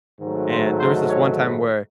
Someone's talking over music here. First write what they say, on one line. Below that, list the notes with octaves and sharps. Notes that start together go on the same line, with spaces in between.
and there was this one time where,
G#2 D#3 F#3 A3
C5
C5
C#5
B4